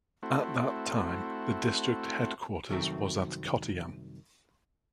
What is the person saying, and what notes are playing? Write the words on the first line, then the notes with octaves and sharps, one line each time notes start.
At that time, the district headquarters was at Kottayam.
A3 C4 E4 F#4
C2 F#2 D#3 F#3 A3 C4